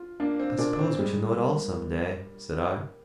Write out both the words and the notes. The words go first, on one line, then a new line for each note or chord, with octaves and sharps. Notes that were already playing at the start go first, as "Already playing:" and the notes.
"I suppose we shall know it all some day," said I.
Already playing: F4
A#3 D4
C4
A#2 D4
D4
C4
G3 G#3
A#3